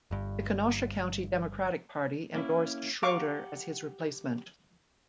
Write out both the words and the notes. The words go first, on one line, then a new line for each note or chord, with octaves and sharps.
The Kenosha County Democratic Party endorsed Schroeder as his replacement.
G1 G2
A#3 C#4 E4
G4 F5 F#5 A#5 C#6 D6